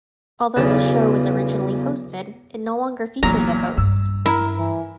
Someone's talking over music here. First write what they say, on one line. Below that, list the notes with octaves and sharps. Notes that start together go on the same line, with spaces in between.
Although the show was originally hosted, it no longer features a host.
B1 E2 C#3 A5
E2 A#2 F#3 D#4 A#5
G2 E6
E4 A#4
E3